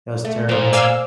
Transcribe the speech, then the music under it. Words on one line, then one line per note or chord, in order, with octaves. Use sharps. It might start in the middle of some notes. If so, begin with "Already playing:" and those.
it was terrible.
A3
A#2 F3 C4
D5 F5 G#5 E6